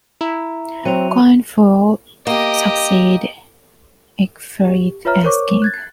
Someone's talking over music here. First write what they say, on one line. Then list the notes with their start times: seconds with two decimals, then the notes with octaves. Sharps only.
Coenwulf succeeded Ecgfrith as king.
0.21 E4 A#5
0.85 F#3 C4 D#7 F7
2.27 A#3 G4 D#5
4.65 G4
5.05 F4 B4 C#5 E5 A#5 F6
5.24 A#4 C5 C#5 C#6 D6
5.62 F#6 G#6 A6